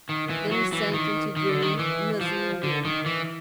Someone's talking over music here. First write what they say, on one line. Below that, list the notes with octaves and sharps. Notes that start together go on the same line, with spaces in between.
Then he sank into dreary musing again.
D#3
E3
F#3
E3
D#3
D#3
D3
D#3
E3
F3
D3
D#3
E3